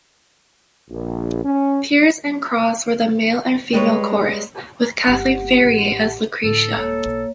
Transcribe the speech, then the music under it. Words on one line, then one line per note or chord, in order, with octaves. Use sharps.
Pears and Cross were the Male and Female Chorus, with Kathleen Ferrier as Lucretia.
A#1
C#4
G3 G#3 B4 C#5
G1 A#3 G4 F#5
A1
A2 D3 A4
D#1 G#3 A#3 C#5
B1